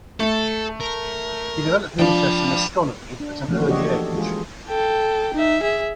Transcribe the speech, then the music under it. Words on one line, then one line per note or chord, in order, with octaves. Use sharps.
He developed an interest in astronomy at an early age.
A3 A4
A#4
F3 D4 G5 B5
D4
E3 F3 A3 A#3 C#4 F#4
D4 F#4 G4 A4 C#5 D#5
A4
E3 G#3 F4 G#4
A4 G5
D#4 E5
G#4 E5